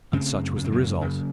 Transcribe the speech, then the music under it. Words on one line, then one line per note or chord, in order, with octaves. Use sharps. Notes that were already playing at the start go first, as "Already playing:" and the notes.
And such was the result.
C#3 A3 C4
F#2
C#3 A#3
C4
F#3 A#3
F#2
C#3